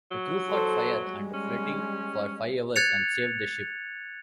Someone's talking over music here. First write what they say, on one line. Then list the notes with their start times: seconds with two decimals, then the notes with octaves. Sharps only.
The crew fought fire and flooding for five hours and saved the ship.
0.11 F#3
0.50 A4 C5
1.02 G3 G#3
1.34 C#4
2.76 F#6 G#6 A6 C#7 F7